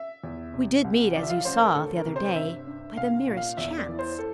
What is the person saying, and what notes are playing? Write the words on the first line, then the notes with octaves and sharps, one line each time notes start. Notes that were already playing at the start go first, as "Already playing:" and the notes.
We did meet, as you saw, the other day, by the merest chance.
Already playing: E5
E2
C3
C2
F3 D5
E5
F5
A1 C5
A#4
D2 A4
A#4
C3
C5
G2 E5
G2
C2 F5
A#2
F5
E2 E5
D5
E3
C5
A4